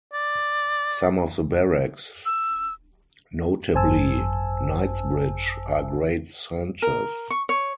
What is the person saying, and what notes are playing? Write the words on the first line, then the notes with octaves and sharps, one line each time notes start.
Some of the barracks, notably Knightsbridge, are great centres.
D5
E6
G#1 F#2 C5 G#5 A5 E6
A#4
C#6
C#5